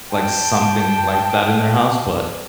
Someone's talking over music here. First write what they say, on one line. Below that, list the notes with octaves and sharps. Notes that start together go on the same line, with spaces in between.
like, something like that in their house, but
G5 A5